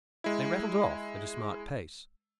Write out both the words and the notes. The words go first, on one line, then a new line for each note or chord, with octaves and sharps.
They rattled off at a smart pace.
G#3 E4